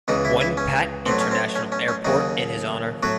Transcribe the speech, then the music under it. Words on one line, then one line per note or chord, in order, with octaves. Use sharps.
Won Pat International Airport in his honor.
C#2 C#3 E3 D#4
E4
E4
C#4
A1 A2 F#3 C4
C#4
C4
C#4
C#4
C#4
D#2 C#3 F#3 D#4
A2 F#3 F#4